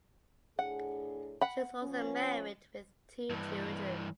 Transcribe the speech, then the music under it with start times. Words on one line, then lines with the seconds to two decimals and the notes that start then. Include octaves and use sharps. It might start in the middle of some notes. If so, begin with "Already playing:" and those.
She was also married with two children.
0.59 A2 D4 G#4 F#5
1.41 F#5 B5
1.83 F3 B3 C#4
3.30 G2 E3